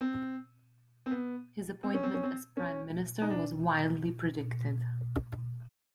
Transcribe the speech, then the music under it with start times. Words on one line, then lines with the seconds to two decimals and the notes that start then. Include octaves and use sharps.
His appointment as prime minister was widely predicted.
0.01 C4
1.06 C4
1.11 B3
1.83 C4
1.94 C#4
2.03 C4
2.14 C#4
2.23 C4
2.57 C#4
3.22 D#4
3.30 D4